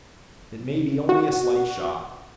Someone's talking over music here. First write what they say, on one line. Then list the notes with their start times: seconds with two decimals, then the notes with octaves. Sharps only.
"It may be only a slight shock."
1.09 F#4